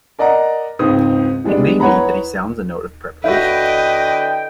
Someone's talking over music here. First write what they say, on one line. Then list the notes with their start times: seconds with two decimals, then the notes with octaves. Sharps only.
It may be that he sounds a note of preparation.
0.19 A#4 D5 D#5 F#5 A#5
0.79 C#2 G#2 C4 C5 D#6
1.44 E3 G3 G#3 B3 D4
1.80 E4 B4 C#5 F#5 A#5 B5
3.24 D3 E4 F#4 B4 D#5 G5